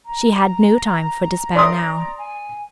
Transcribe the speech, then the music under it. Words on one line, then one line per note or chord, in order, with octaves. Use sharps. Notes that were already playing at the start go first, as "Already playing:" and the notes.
She had no time for despair now.
A#5
D5 C6 D#6
G#5